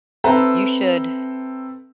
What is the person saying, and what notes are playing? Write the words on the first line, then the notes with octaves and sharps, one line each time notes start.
You should
C4 A4 B4 E5 A#5